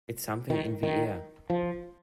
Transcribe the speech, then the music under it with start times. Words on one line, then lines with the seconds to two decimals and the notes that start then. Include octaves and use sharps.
It's something in the air.
0.50 D#3
0.83 D#3
1.50 F3